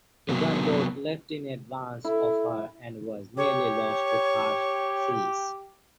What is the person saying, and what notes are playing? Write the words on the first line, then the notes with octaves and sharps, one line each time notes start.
The gunboat left in advance of her and was nearly lost to harsh seas.
C3 F#3 A#3 B3
E4 A4
G4 C#5